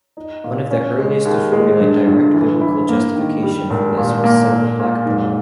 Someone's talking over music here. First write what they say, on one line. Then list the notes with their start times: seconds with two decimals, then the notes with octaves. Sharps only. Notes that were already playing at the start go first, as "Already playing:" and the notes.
One of the earliest to formulate direct biblical justification for this was Sarah Blackborow.
0.17 D#4
0.44 A#2
0.71 C#4
0.98 G#3
1.25 D#2
1.52 G#3
1.80 G2
2.07 G1
2.34 E3
2.61 E4
2.89 A#3
3.16 D#3
3.43 G3
3.70 G#1
3.98 A#2
4.24 A#3
4.52 A#2
4.79 A#2
5.05 G#2